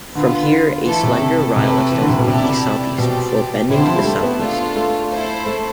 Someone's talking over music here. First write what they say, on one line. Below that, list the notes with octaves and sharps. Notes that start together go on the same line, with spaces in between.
From here a slender rille extends to the east-southeast before bending to the southeast.
D3 B3 F4 B4
E3 A3 E4 A4
C3
C3 A3 E4 B4
E3
D3
C3
B2
C3 E4 G4 D5 A5
B2 C4 G4 D5 G5
C3 E4 G4 C5 E5 A5
D3
F3
G3
A3
B3
A3 D4 F4 A4
A3
E4 A4 C5
A3